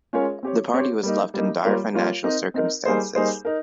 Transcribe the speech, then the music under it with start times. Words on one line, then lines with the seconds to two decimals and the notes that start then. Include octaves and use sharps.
The party was left in dire financial circumstances.
0.13 G#3 C#4 F4 A#4 C#5
0.43 C4 G4 C#5
0.74 C4 G4 C#5
1.03 G3 A#3 D#4
1.34 G3 A#3 D#4
1.63 G3 A#3 F4 A#4 C#5
1.94 G3 A#3 F4 A#4 C#5
2.24 C4 D#4 A#4 D#5
2.54 C4 D#4 A#4 D#5
2.85 G3 A#3 D#4 G#4 C5
3.15 G3 A#3 D#4 G#4 C5
3.45 D#4 A#4